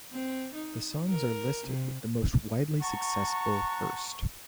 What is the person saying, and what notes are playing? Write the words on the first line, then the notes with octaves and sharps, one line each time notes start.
The songs are listed with the most widely successful first.
C4
D#4
A#4
C3
F#5 A5 A#5 C#6